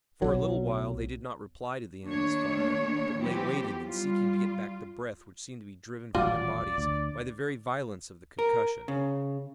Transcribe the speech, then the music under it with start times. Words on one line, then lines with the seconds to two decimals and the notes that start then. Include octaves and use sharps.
For a little while they did not reply to the enemy's fire, but lay waiting and seeking to get back the breath which seemed to be driven from their bodies by the very violence of the concussion.
0.22 B1 F#3
2.06 D#2 A3 D4 C#5
3.19 E3 F#3 B3 C4 G4
3.85 G3 F4
6.15 D#1 A1 F#3 F4 F#4 D5
6.78 D2
8.39 A#4
8.88 C#3